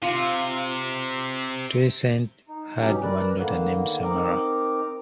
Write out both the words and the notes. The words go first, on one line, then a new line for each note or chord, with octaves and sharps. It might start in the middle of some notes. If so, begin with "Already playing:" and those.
Toussaint has one daughter named Samara.
C3 F4
D#4
B2 E3 F#3 C#4 D#4 G4
A#4 B4 D5 F#6
D3 D#3 A#3 B3
C4 D#4 A#4 D6